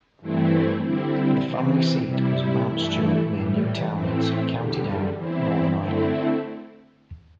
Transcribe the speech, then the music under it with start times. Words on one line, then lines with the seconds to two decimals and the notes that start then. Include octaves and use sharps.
The family seat was Mount Stewart near Newtownards, County Down, Northern Ireland.
0.20 G2 E3 A3 C4 E4
0.82 D3 G3 C4 E4
1.44 C3 E3 C4
2.06 C3 G3 E4
2.67 G2 E3 A3 E4
3.30 A2 E3 G3
3.92 A2 E3 A3 C4
4.54 E2 D3 G3
5.16 E2 E3 C4 E4
5.77 D3 A3 C4 E4